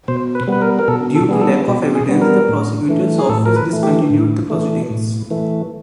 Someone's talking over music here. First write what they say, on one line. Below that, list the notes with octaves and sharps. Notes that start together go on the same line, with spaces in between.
Due to lack of evidence, the Prosecutor's Office discontinued the proceedings.
B2 C5
B4
G3 B3 B4
A#4
A#4
B2 A4
A4
G3 B3 G#4
A4
B2 G4
G#4
G3 B3
A#4
A2
E3 A3
G#4
A2 A4
A#4
B4
E3 A3
G4
A2
E3 A3
A2
E3 A3